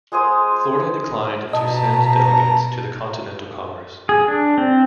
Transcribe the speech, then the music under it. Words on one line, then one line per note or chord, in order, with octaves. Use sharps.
Florida declined to send delegates to the Continental Congress.
G#3 G#4 C5 D#6
B2 D#5 A5 A#5
G#4
D4
C4